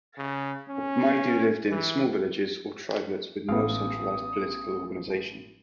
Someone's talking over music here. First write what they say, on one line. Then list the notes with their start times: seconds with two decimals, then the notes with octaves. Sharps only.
Maidu lived in small villages or tribelets with no centralized political organization.
0.18 C#3
0.69 C#4
1.70 E3
3.49 A1 G#3 B3 F5 D#6